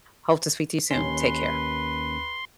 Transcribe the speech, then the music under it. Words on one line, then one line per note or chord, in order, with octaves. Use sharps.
hope to speak to you soon, take care.
D#2 C#4 B4 C6